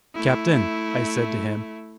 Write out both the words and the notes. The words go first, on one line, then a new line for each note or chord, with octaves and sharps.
"Captain!" I said to him.
A3 E4